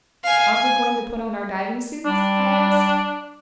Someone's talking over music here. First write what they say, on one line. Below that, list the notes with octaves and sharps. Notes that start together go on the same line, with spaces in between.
"Aren't we going to put on our diving suits?" I asked.
F5 G#5
G#5
G3 D4